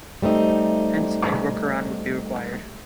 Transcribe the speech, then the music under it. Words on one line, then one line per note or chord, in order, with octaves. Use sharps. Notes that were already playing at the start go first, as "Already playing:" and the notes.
Hence, a workaround would be required.
G3 A3 C4 D#4